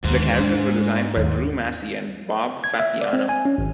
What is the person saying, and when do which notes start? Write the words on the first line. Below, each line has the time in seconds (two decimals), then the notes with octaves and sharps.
The characters were designed by Drew Massey and Bob Fappiano.
0.04 D#2 G#2 D3
0.38 G#3 D4
1.17 D#2
2.64 G#6
2.79 E5
3.01 D5
3.13 C4
3.29 G#5
3.45 C#4
3.58 G#1